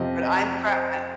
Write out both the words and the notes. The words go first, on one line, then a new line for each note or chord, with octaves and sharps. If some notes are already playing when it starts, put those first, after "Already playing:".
But I'm prou I
Already playing: F2 C3 F3 C4 D#5
D#5
C5